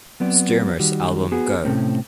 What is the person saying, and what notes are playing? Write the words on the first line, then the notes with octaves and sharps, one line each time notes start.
Stuermer's album Go!
F#3 B3 C4 D5
D#3 G3 F#4
B3 F#4 G#4
A2 C3 A3 C4 C#4